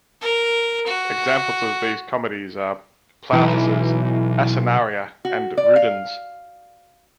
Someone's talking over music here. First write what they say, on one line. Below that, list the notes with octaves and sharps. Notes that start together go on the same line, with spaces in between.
Examples of these comedies are Plautus' "Asinaria" and "Rudens".
A#4
F#4
B1 E3
F#4
D5
F5